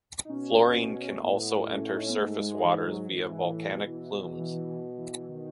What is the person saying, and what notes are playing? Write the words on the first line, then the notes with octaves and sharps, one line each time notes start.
Fluorine can also enter surface waters via volcanic plumes.
D#4
B2 C#4
B3
C#4
A3
A2 B3
C#4
D#4
C#4
B3
G#2 A3
G#3
E3
F#3
G#2 E3
A2
B2
E3
D#3